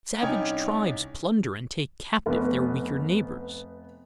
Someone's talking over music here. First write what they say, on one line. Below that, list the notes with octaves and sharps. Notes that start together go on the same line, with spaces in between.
Savage tribes plunder and take captive their weaker neighbors.
C2 C#4 D#4 G5 G#6
F1 B3